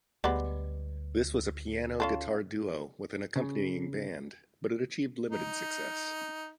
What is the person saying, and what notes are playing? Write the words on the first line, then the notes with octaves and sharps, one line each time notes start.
This was a piano-guitar duo with an accompanying band, but it achieved limited success.
D2 G3 G#3 B3
C#4 F4 A4
C#3
D#4